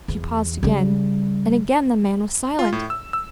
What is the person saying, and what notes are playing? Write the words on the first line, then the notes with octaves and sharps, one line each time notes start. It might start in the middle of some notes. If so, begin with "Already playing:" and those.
She paused again, and again the man was silent.
E2
C#3 G3
F4
A2
E6
E6